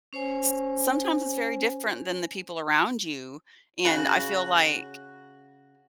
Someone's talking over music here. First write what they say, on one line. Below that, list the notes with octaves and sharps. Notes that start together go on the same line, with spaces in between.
s sometimes it's very different than the people around you, and I feel like
C#4 C5 C#5 G#5
C#3 F#4